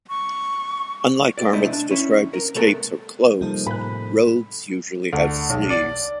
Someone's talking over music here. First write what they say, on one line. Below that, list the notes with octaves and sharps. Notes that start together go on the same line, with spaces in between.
Unlike garments described as capes or cloaks, robes usually have sleeves.
C#6
D5 G5
C2 A3 C4 D4 E4 D#5
D4
C#4 E4
A#4
C3 A3 B3 A4 A#4
C3 F3 G3 A#3 D#4 A4
A2 B5 F#6
D2
B1
D5